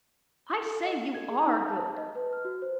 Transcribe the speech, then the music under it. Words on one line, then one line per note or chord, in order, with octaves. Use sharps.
'I say, you ARE good.'
A4
D#5
G#6
G#4
D#4
A5
D#5
B4
F6
F#4
C5